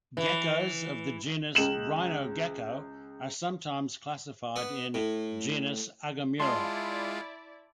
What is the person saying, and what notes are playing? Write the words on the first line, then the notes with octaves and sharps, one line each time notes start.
Geckos of the genus "Rhinogecko" are sometimes classified in genus "Agamura".
E3
C#2 E7 F#7
B3
A2
G#3 E4 F4 D5 A5 C6